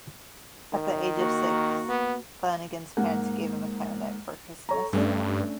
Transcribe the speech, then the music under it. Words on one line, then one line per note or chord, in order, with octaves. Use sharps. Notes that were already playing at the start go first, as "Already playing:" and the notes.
At the age of six, Flanagan's parents gave him a clarinet for Christmas.
D#3
A#3 F#4
B3
G#2 A#3 F#5
A4 C#5 A#5
G2 A3 C#4 D4